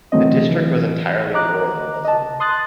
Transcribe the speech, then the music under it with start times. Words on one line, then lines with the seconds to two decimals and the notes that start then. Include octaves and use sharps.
The district was entirely rural and Muslim.
0.12 D3 E3 F#3 A3 C4 D#5
0.49 E3
1.34 D#5 A#5 D6 F#6
2.05 D#5 A5
2.40 C6 D#6 F#6 A6